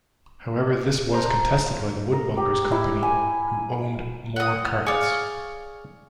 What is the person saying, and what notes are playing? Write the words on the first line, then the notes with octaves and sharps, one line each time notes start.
However, this was contested by the Woodmongers' Company, who owned more carts.
C5 A5 A#5
A#4
G4
E4
G#5
F#5 D#6
G#4 C#5 D5 F5